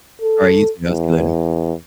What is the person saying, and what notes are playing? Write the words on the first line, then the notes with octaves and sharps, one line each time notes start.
Alright, you too, I'll see you later.
A4
E2